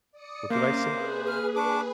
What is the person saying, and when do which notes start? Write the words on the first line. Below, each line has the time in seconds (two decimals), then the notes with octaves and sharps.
What did I say?
0.12 D5 D#6 C#7
0.50 C3 A#3 C#4 A#4 C5 F5 D6
0.84 G#4 B4
1.26 F6
1.56 D4 A5 C#6 D6